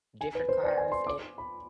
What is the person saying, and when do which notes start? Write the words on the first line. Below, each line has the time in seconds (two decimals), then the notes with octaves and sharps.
different cars and
0.21 G#5
0.35 B4
0.49 C5
0.63 D5
0.77 G#5
0.92 C6
1.07 D6
1.38 B5